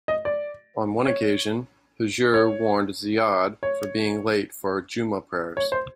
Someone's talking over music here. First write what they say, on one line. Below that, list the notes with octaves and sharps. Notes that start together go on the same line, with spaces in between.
On one occasion, Hujr warned Ziyad for being late for Jummah prayers.
D#5
D5
C#5
C#5
C#5
C#5
C5